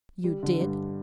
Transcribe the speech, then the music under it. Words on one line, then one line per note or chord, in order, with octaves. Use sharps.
"You did!"
G3
D3
G2